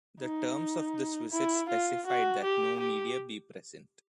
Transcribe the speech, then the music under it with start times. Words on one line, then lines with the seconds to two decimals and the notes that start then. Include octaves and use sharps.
The terms of this visit specified that no media be present.
0.21 D#4
1.32 E4
1.69 F4
2.07 F#4
2.44 G4
2.80 G4